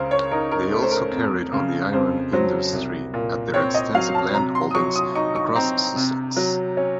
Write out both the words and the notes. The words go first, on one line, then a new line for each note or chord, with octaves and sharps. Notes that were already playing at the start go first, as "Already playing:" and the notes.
They also carried on the iron industry at their extensive landholdings across Sussex.
Already playing: C#2 C#3 A#4 C5
C#5
D#4 A#4
A#4
A3
C5
A#4
F2
C#3
F2 C5
F#3 C5
C2
A#2
C4 C#5
D#5
F#3 F5
A5
C3 A#5
C6
D#6
F#3 C#6
D#6
D#4 C#6
C#6
C4 A#5
C3
F#3
C#4